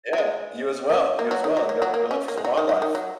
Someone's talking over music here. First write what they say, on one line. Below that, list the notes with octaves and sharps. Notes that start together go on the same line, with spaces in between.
yeah, you as well, you as well, and go go look for some wildlife.
F#3
G#3
A#3
C#4
A#3
F#3
D#3
F#3
A#3
F#3
A#3
C#4
A#3
G#3
F#3
D#3
F#3
D#3
F#3